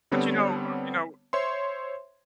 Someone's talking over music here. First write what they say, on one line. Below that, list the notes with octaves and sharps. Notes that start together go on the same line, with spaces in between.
But, you know, uh, you know
D3 G3 B3 C4 C#5
C5 C#5 E5 C6